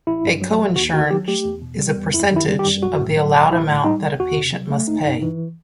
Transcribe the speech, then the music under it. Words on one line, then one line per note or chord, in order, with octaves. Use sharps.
A coinsurance is a percentage of the allowed amount that the patient must pay.
A1 E4
G2
F#3
A1
D#2 F#4
D#3 F#4
F#3 G4
A3 G4
E2
B2
G3
E2
F#2 E4
D#3
E4
G3
G4
F#2
B1 F#4
A2
F#3
B1
A1 E4
A2
G3 D#4
A1
E2 F#4
C3
F#3
A3
G1 D#4
G2
E3